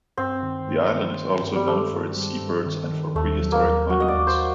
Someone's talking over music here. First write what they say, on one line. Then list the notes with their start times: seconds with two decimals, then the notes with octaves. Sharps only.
The island is also known for its sea birds and for prehistoric monuments.
0.17 G2 C4
0.43 D#3
0.67 G2
0.92 D#3
1.17 D#3
1.42 G2
1.56 G3
1.67 D#3 A3
1.92 G2
2.16 G3
2.41 G2
2.66 D#3
2.91 D#3
3.15 D#2 A3
3.40 F#3
3.52 A#3
3.65 D#2
3.90 F#3 F#4
4.00 D#5
4.08 D5
4.14 D#2
4.27 C5